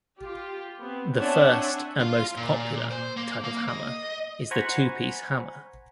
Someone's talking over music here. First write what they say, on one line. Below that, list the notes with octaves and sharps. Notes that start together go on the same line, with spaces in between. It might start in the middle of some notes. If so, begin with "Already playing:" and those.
The first, and most popular, type of hammer is the two piece hammer.
F4 G4
B3 C4
C4 D4 C#5 E5 F#5 G#5
F4 F5
A#2
C5
A#3
A#3
D#5
C5 F#5 G#5 A#5 B5 C#6